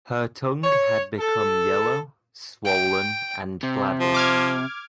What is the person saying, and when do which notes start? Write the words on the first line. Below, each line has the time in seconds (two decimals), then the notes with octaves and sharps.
Her tongue had become yellow, swollen, and flabby.
0.63 C#5
1.19 A4
2.65 G5
3.63 C3
3.99 F3
4.14 D6 F6 G#6